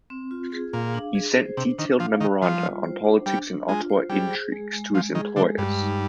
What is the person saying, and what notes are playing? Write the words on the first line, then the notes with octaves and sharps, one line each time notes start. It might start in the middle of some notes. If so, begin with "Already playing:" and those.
He sent detailed memoranda on politics and Ottawa intrigues to his employers.
C4
F4
G#4
A#2 F5
D4
G#4
C5
C3 D4
D#3 D4
F3 F5
D#3 F5
F3 G3
F4
C5
D4
G3 D4
D4
G#3 F4
C5
G3 G#4
G#4
G#3
G#3
F3 G#3
D#3 G#4
D3 G#3
G2 G#3
D#4